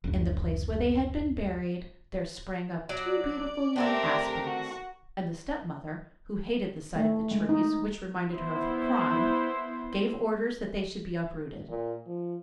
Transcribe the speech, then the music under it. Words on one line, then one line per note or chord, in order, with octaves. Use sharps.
In the place where they had been buried there sprang up two beautiful young aspens, and the stepmother, who hated the sight of the trees, which reminded her of her crime, gave orders that they should be uprooted.
F#1 D2
F#3 D5
A3 C4 D4 G4 A#4
F#4
A3
G#3
D#4
B3 E4 C5
A#2
F3